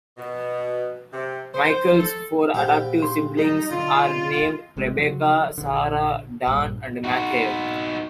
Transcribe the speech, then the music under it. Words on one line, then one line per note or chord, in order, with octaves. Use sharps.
Michael's four adoptive siblings are named Rebecca, Sara, Dan, and Matthew.
B2
C3
C5
A4
A#1 G4 C5 F#5 G5
C6
F#3 G3 D#4 G#4
B1 D3 F4 D#5
G#1 C3 G#3 C4
C#3 F3 F#3
A#1 D3
A#1 G2
D#4 F#4